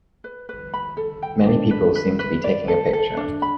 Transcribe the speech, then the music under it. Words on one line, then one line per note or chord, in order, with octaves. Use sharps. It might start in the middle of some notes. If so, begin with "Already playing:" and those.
Many people seem to be taking a picture.
B4
B4
B5
A4
G5
D4
B4
B4
B4
D5
A4
A4
D4
B5